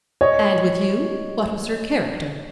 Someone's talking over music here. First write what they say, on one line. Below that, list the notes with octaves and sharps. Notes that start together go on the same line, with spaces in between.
"And with you, what was her character?"
C#5 D#5